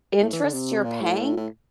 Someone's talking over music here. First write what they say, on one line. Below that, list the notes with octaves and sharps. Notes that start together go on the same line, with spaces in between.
interest you're paying
A2
E3
D3
C3
A#2
A2
A2